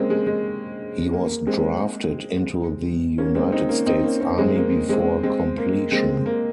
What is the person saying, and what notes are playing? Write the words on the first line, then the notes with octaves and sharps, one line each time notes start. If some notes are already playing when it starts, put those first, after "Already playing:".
He was drafted into the United States Army before completion.
Already playing: G#3 A#3 C4 C#4
G#3
G#3
A#3
G#3 C4
A#3 C#4
G#3 C4
C4 D#4
A#3 C#4
C4 D#4
A#3 C#4
A#3 C#4
G#3 C4
A#3
G#3 C4
G#3 C4
A#3
G#3 C4
A#3